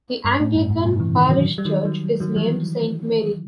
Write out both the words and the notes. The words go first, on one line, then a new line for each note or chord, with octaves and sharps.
The Anglican parish church is named Saint Mary.
G2
A2
G2
A2
A2
G2 B2
C3 E3
B2 D#3
D#3 F#3
G3
D#3 F#3
D#3 F#3
D#3 F#3
E3 G3